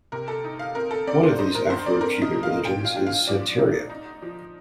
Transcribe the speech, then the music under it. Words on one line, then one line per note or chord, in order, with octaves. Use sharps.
One of these Afro-Cuban religions is Santeria.
C3 A#4
A4
D#4
F5
C4 A#4
A4
C4 D5
C5
D#4 C5
A#4
G2 C5
D5
C4 A#4
D#5
F3
F5
A#2 G5
F5
D4
F5
F3 D5
D#4
D#4
F3